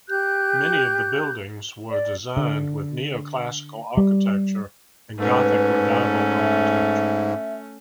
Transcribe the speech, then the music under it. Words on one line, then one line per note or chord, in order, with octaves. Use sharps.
Many of the buildings were designed with Neoclassical architecture and Gothic Revival architecture.
G4 F#6 G6
D5
D3
G3
G#2 A3 C#4 B4
E5